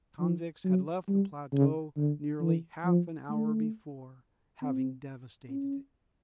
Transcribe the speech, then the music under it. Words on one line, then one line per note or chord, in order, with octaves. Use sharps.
The convicts had left the plateau nearly half-an-hour before, having devastated it!
F3
F#3
G3
C#3
D3
E3
F3
A3
C4
C#4